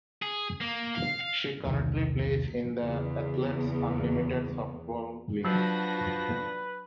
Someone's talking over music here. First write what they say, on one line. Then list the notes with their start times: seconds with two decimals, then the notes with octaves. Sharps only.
She currently plays in the Athletes Unlimited softball league.
0.22 G#4
0.61 A#3
0.95 F5
1.20 F5
1.65 E1 C2 C3 D#3
2.78 E2 C#3
5.45 F3 F#3 D4 F#4 B4 A#6